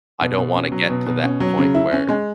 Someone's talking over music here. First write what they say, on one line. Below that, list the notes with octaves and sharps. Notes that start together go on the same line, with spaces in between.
I don't wanna get to that point where"
B2
B2
C#4
F#3
B2
B2
C#4
F#3
C#3
E4
C#4
G#3